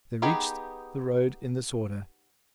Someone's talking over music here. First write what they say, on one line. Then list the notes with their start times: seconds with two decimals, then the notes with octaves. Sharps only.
They reached the road in this order.
0.22 B3 D#4 G4 G#4 B4